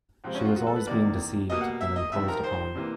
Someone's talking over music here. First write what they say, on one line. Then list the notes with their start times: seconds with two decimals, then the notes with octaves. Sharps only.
She was always being deceived and imposed upon.
0.24 F2 C3 F3 G#3 C4
0.35 C#4
0.40 F#4
0.45 F4
0.56 F#4
0.67 A4
0.76 B4
0.87 E2 C3 D#3 G3 A#3 D5
1.50 B2 G3 A#3 D#5
1.60 F#5
1.81 E5
1.96 D#5
2.12 F2 C3 D#3 E5
2.28 A#4
2.44 C5
2.75 C3 E3 G3 A#3